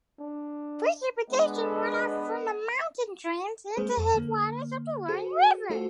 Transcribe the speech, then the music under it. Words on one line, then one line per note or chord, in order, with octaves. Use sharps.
Precipitation runoff from the mountain drains into headwaters of the Roaring River.
D4
G#3 B3 D4 D#5
G#3 A#3 C4 G#4 C5
F2
D3 A#3
F#4 G#4 A4 C5
A3 F4 F#4 A4 C5